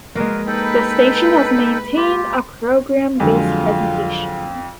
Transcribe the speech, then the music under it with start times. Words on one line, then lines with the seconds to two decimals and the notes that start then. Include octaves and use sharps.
The station has maintained a "programme based" presentation.
0.15 G#3 A#3 F#4 A#4 B4
0.47 D#4 A4 B4 G5
1.97 F4 G4
3.20 F2 D3 F#3 G#3 F4